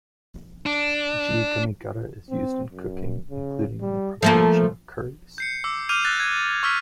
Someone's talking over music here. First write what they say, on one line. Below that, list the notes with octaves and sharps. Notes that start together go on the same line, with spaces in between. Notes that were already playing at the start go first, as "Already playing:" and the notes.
"G. gummi-gutta" is used in cooking, including in the preparation of curries.
D4
C4
F#2
C#3
G3
F3 A3 A#3 A4
G6 C7 C#7
D6 E6
D6 F6 G6 D#7 F7
F#6 G6 A6 A#6
G#6
C#6 E6 F6 B6